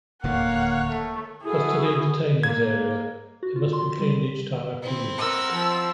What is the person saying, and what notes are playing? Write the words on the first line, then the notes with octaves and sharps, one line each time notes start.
Custody of detainees area: they must be cleaned each time after use.
D1 D#2 D3 A#3 C#5 F5 F#5
A3
E4 F#4 G#4 A4
A#3 G#6
F#4
F4
C6
G3
C4 E4
A#4 F#5 E6
F3